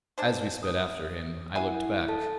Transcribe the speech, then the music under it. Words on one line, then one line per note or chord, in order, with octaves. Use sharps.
As we sped after him I looked back.
G#3 D4 C5
D#6
E4 F#5 G#5
A4 A5